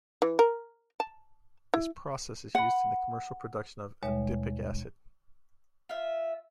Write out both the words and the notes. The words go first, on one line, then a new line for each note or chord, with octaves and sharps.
This process is used in the commercial production of adipic acid.
E3
A#4
A5
E4
F#5 B5
D#2 B2 G3 G#3 C#5 E5
F4 E5